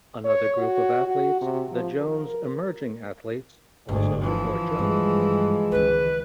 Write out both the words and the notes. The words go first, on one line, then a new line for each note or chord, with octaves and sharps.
Another group of athletes, the Jones Emerging Athletes, also support Jones.
C#5
F#4
F#4
C3
F3
A#4
G1 D2 G#2
E3 F3
F#1 G2 G#3
C#2 D#3 B4